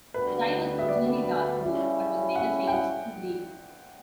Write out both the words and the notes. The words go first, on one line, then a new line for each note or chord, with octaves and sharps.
The tie was originally dark blue but was later changed to green.
D2 D3 G3 B3 F#4 B4
E5
D5
C#3 G3 C#4 E4
F#5
G5
F#5